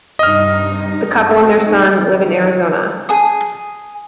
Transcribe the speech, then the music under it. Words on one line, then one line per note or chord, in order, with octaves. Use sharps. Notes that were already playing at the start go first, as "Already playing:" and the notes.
The couple and their son live in Arizona.
G2 C3 D#4 D#5 F6
C4 F#4
D#4
D#3
G#4 G#5 D#6